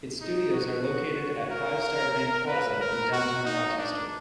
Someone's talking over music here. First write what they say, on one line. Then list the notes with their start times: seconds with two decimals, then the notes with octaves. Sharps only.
Its studios are located at Five Star Bank Plaza in downtown Rochester.
0.21 D#4
0.53 F#4
1.50 A#4
2.48 B4
2.81 A#4
3.13 F#4
3.45 D#4
3.78 D4